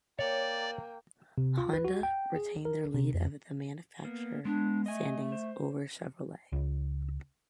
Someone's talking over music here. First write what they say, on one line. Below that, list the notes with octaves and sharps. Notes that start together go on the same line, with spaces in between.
Honda retained their lead of the manufacturer standings over Chevrolet.
A#3 C#5 D5 G5
C3
F4
B4
F#4
G5
G#4
A#4
C3
F2
A#3 B3
G#3 B3 D4
A3 D#5 G#5
C5
C#2